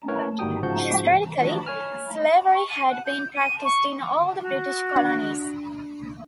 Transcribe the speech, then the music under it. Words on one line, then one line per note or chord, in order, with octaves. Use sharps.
Historically, slavery had been practiced in all the British colonies.
C#4 E4 A#4 B4 C#5
G1 D#3 G3 F#4 G5 D#6
G#2 C#3 F3 F#4 F#5 G6
E3 F3 A3 D4 F#4
C#5 G#5 F6
C#6
D#7
F#5
G6
D#7
C#6
F#4
D4